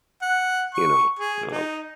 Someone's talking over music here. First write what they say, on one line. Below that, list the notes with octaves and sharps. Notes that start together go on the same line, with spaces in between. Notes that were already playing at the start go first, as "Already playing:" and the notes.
you know, um,
F#5
C#6
G#4
D#4